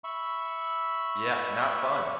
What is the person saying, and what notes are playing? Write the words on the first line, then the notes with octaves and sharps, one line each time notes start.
Yeah, not fun.
E5 B5 C#6